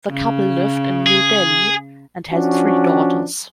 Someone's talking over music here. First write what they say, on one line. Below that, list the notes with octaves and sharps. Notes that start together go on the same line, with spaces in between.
The couple lived in New Delhi, and had three daughters.
C#3
G#4
F3 C#4 D4 F#4